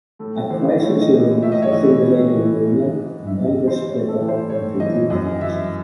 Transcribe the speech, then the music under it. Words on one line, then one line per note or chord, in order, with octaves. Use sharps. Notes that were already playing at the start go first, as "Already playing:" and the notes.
A crisis arose within the labour movement and members split off into two factions.
A2 A4
E3 C5
A2 C#5
D#5
E3
A2 E5
D#5
C#5
E3 D#5
A2
E3
G#2
E3
G#2 E5
D#5
E3
C5
A2 C#5
A4
E3
C5
A2 C#5
E3 D#5
F#2 D#5
E3 E5